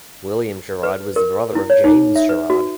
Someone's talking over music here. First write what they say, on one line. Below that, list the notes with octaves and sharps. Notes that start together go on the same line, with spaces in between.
William Sherard was the brother of James Sherard.
B4
A#4
E4
C#5
D#4
E5
B4
F#4